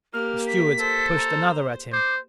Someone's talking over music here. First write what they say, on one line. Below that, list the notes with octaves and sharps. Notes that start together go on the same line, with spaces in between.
The stewards pushed another at him.
A#3 G4 F6
B6
A4 C5
A#5
C5 D6